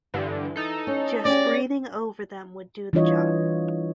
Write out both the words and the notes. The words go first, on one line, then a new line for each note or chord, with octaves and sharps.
Just breathing over them would do the job.
G2 D3 E3
D#4 A4
C#4
C#4 G4 G#4 D5 A#6
E3 G3 D4 F4 C#5 D#5